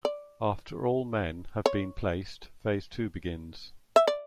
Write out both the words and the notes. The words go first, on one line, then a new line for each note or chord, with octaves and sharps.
After all men have been placed, phase two begins.
D5
C#5
E5
D5